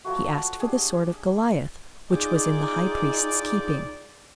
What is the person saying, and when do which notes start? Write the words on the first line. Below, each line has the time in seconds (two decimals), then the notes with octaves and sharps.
He asked for the sword of Goliath, which was in the High Priest's keeping.
0.04 F3 F#3 A3 F#4
0.60 D4 G4 G#4
2.10 D#4 F4 G#4 D5 G5 D6